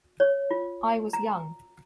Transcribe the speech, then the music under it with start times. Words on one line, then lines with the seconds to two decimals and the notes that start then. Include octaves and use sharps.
I was young.
0.20 C#5
0.51 F4
1.13 A#5